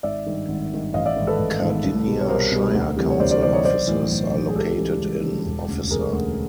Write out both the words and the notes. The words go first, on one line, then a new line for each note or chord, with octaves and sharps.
Cardinia Shire Council Offices are located in Officer.
G#1 D5 E5
G2 D#3
G#1
G2 D#3
A1 D#5 F5
D5 E5
G#2 D#3
A4 B4
A1
G#2 D#3
C2
B2 G3
C#5
C2 A#4 C5
B2 G3
D2
C3 E3 G3
C#5
D2 C5 D5
C5 D5
C3 E3 G3 C5 D5
C#5 D#5
B1 C5 D5
A2 E3
B1
A2 E3
G#4
C#2 G4 A4
C#3 E3 G3
C#2
C#3 E3 G3
E1
D2 C#3
E1 G#4 A#4
D2 C#3